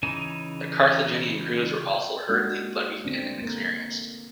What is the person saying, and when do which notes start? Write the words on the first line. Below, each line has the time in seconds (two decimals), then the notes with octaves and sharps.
The Carthaginian crews were also hurriedly levied and inexperienced.
0.03 C#3 E3 D#4 G#5
2.29 G#3 A#3 D4 D#4 F#4 G4
3.05 D3 A3 B3 C4 D4
3.42 A3 A#3 D#4 A#4